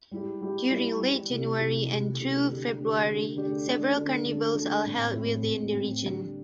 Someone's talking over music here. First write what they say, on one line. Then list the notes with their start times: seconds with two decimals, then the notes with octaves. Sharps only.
During Late January and through February, several carnivals are held within the region.
0.11 G3 E4 G4
0.41 G3 E4 G4
0.71 G3 E4 G4
1.00 G3 E4 G4
1.30 C3 A3 E4 G4
1.59 C3 A3 E4 G4
1.89 C3 A3 E4 G4
2.19 C3 A3 E4 G4
2.48 D3 A3 D4 G4
2.77 D3 A3 D4 G4
3.07 D3 A3 D4 G4
3.36 D3 A3 D4 G4
3.67 D3 A3 D4
3.96 D3 A3 D4
4.25 D3 A3 D4
4.54 D3 A3 D4
4.85 A2 A3 C4
5.13 A2 A3 C4
5.43 A2 A3 C4
5.72 A2 A3 C4
6.02 D3 G3 D4 G4